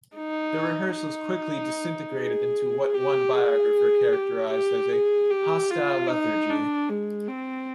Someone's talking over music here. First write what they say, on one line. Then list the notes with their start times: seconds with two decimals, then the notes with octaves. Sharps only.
The rehearsals quickly disintegrated into what one biographer characterised as a "hostile lethargy".
0.17 D#4
0.96 D#4
2.15 G#4
2.94 G4
3.33 G#4
4.13 G4
4.51 G4
4.91 G#4
5.31 G4
5.71 F4
6.09 D#4
6.50 D4
6.89 G#3
7.28 C4